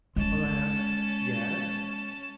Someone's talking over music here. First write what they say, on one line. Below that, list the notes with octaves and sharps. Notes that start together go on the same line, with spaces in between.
"Alas, yes."
G#3 C#4 A5